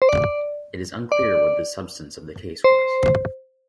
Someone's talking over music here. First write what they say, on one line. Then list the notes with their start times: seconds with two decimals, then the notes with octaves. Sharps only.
It is unclear what the substance of the case was.
0.02 C5
0.09 D5
1.12 D5
2.64 C5